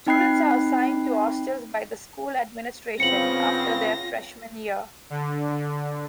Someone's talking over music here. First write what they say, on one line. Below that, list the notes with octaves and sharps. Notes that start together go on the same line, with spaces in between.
Students are assigned to hostels by the school administration after their freshmen year.
C4 D#4 G5 B5 F#6 C7
C#3 B3 C4 F4 A#6 C#7 F#7
D3
D3